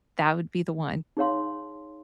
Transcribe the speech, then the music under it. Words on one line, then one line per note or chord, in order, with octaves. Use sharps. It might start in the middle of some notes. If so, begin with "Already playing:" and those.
that would be the one.
D#4 G#4 C#5 F5 C6